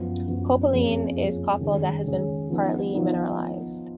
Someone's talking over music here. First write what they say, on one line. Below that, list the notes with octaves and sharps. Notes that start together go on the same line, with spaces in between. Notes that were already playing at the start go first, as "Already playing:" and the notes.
Copaline is copal that has been partly mineralised.
Already playing: F#2 F3 B3 F#4
F#2 F3 B3 F#4
F2 F3 A#3 C#4 G#4
F2 F3 A#3 C#4 G#4
D#3 G#3 C#4 G#4
D#3 G#3 C#4 G#4
F3 B3 D#4
F3 B3 D#4